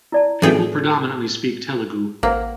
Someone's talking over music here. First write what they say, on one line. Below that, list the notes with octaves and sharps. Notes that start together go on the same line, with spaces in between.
People predominantly speak Telugu.
E4 D5 A5
A2 E3 C4 C#4 D#4 G#4 G5
A1 A#3 C5 F#5